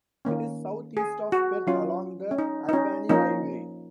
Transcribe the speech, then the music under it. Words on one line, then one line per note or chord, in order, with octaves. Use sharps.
It is southeast of Perth along the Albany Highway.
D#3 A#3 C#4
G#4
F#4
F#3 C#4 F4
C#4
D#4
D#4
C#4
F3 A#3 C#4 D#4